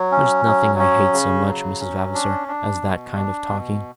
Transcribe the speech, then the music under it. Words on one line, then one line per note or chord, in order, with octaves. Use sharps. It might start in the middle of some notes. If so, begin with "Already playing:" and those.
There's nothing I hate so much, Miss Vavasor, as that kind of talking.
Already playing: F#3
C#4
F#3
C#4
C#3
F#3
C#4
D4
D4
B2
D4
B2